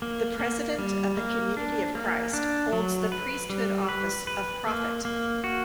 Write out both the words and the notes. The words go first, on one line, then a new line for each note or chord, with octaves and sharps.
The President of the Community of Christ holds the priesthood office of Prophet.
A#3
A#3
G3
A#3
D4
A#3
D4
F#3
B4
G3
B4
B4
A#3
A#3
F#4